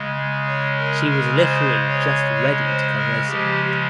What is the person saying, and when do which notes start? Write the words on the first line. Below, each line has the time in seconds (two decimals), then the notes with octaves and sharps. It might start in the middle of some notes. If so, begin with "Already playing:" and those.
She was literally just ready to come racing.
Already playing: C#3 G#3
0.46 C#5
0.78 A#4
1.09 A#4
1.40 C5
1.88 C#5
2.34 C#5
2.65 C5
2.97 A#4
3.28 C#3 F3 G#3 G4